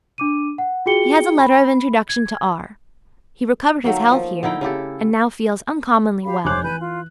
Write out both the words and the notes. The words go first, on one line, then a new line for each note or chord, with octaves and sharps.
He has a letter of introduction to R. He recovered his health here and now feels uncommonly well.
D4 D6 D#7
F#5
F4 F#4 G#4 G5 C#7 G7
B5
G#6
D#3 F#3 A3 A#3
F3
D3 D#4 E4 G5
C#3 E4 G4 A4
G4 F5 B5
F1 C5 C#5 G#5 D6 F#6
E3 B4 G#5 G6
F4